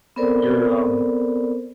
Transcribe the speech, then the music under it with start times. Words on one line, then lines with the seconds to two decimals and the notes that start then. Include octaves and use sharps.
you're, um,
0.16 B3 C4 A4 A#4 C5 D5